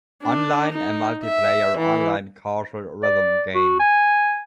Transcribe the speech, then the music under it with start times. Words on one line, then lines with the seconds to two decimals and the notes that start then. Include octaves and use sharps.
Online, a multiplayer online casual rhythm game.
0.23 D4
0.72 D#4
1.25 E5
1.78 E3
3.03 D5
3.55 F#4
3.80 G#5